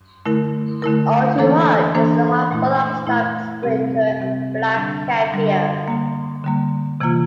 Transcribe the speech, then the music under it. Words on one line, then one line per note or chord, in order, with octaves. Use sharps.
"All Too Hard" is the half-brother of star sprinter "Black Caviar".
D3 A3 E4 A#4
D3 A3 E4 A#4
E3 A#3 D4 A4 C5
E3 A#3 D4 A4 C5
A#2 A3 E4
A#2 A3 E4
C3 G3 C4 G4
C3 G3 C4 G4
D3 G3 D4
D3 G3 D4
D3 G3 A#3
D3 G3 A#3
C3 E3 A#3 F4